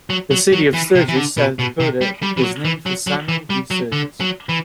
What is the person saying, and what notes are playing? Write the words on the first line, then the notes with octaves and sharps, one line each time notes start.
The city of Sturgis, South Dakota, is named for Samuel D. Sturgis.
F#3
F#3
F#3
E3
C3
E3
D3
B2
B2
C3
G3
G3
E3
F#3
E3
F#3
F#3
E3
G3
F#3
D3
F#3
E3